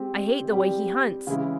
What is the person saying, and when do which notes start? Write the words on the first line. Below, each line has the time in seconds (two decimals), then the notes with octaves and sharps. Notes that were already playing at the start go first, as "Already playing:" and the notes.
I hate the way he hunts!
Already playing: G#3 C4 G4
0.51 G3 C4 G4
1.27 C#3 E3 G#3 E4